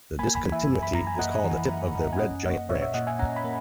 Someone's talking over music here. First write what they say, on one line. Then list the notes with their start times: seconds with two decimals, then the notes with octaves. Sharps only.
This discontinuity is called the tip of the red-giant branch.
0.19 A#3 G#5 B5
0.35 G#5 B5
0.43 E3
0.52 E5 G#5
0.69 F#2
0.83 B5
0.94 F#2 A#5
1.07 G#5
1.19 A#3 D#5 F#5
1.44 E3
1.69 F#2
1.94 F#2
2.13 G#5
2.19 C#4 D#5 F#5
2.44 A#3
2.69 A#2 C#5 E5
2.82 C#5 E5
2.94 A#2 D#5 F#5
3.07 E5 G#5
3.19 C#4 F#5 A#5
3.36 G#5 B5
3.44 A#3